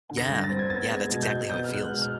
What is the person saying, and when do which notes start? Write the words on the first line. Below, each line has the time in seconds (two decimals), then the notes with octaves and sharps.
Yeah. Yeah, that's exactly how it feels.
0.11 D3
0.17 A#6
0.31 G2
0.44 A6
0.50 C4
0.59 G#6
0.70 B3 A6
0.90 G#3
0.96 G#6
1.10 B2
1.23 G6
1.30 B2
1.49 B3 G6
1.64 G#3 F6
1.75 F#6
1.89 B2
2.02 F6